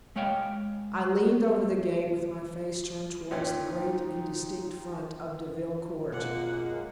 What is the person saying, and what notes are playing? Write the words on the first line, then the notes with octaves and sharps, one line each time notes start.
I leaned over the gate with my face turned towards the great indistinct front of Deville Court.
G#3 C#5 F5 G5
F#2 A#2 C#4 D#4 F4 G5
F#2 B2 G#3 A#3 F4 F#5 D6 F#6